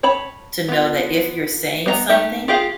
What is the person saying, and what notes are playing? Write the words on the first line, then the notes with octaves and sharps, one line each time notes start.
to know that if you're saying something,
C#5 A5 B5
B3 F4
B3 D4 D#5 A#5
A3 D#4 G4 E5
F4 G4 G#4 F5